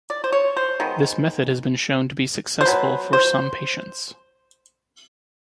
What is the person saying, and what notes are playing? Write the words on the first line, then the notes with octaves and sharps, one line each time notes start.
This method has been shown to be successful for some patients.
D5
C5
C#5
C5
D#3 G#3 B3
C5
B2 F#3 B4
C5